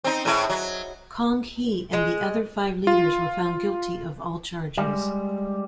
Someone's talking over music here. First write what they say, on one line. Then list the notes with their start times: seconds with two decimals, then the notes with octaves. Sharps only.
Kong Hee and the other five leaders were found guilty of all charges.
0.04 C4 D#4
0.25 A2 G#3 E4
0.50 F#3
1.93 G#3
2.87 F4
4.77 G3 G#3